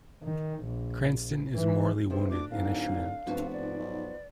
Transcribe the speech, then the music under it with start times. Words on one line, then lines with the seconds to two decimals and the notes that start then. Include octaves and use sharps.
Cranston is mortally wounded in a shootout.
0.23 D#3
0.64 A#1
1.55 E3
2.10 G#2 C3 B3 C5
2.30 D2 D3 D4 D6
2.51 D1 G#2 F5
3.26 F1 G2 F3 B3 F#4
3.53 G#2 D5
3.79 B1